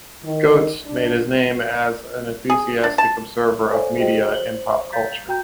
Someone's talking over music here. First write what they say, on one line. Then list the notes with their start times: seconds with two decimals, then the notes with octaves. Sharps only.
Goetz made his name as an enthusiastic observer of media and pop culture.
0.24 D#3
0.84 D4
2.50 G#4
2.84 D4
2.98 A5
3.71 A4 C5 D5 E5 F5 G#5
3.98 F#4 G#4 C5 D#5 G5
4.33 C5 F#7 G7
4.92 F5 A#5 G6 A6 B6
5.28 F#4 G5 A#5 G6